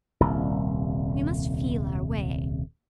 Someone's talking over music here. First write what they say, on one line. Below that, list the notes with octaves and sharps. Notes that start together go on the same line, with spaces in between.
We must feel our way.
D#1 C2